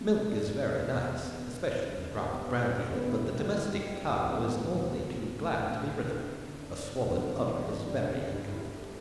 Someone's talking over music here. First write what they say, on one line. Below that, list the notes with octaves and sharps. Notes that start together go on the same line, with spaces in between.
"Milk is very nice, especially with a drop of brandy in it, but the domestic cow is only too glad to be rid of it. A swollen udder is very uncomfortable."
A3
D4
A3
B3
E2
E2
B3
E4
B3
D3
B3
E4
G2
D3
G4
B3
B4
G3
D3
B3
E4
G3
D2
E4
G3
G3
E4
E3
B3
A2
D2
D3
A3
G3
B3
A2
A3
D3
D3
E4
E4
D3
D3
D4
D3
D3
G2
G2
E3
D4
D4
G3
D3
D3
G3
E4
G4
A4